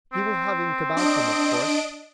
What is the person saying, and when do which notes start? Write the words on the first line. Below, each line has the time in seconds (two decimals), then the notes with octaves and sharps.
He will have ink about him, of course.
0.13 C4
0.97 D4 D#5 D7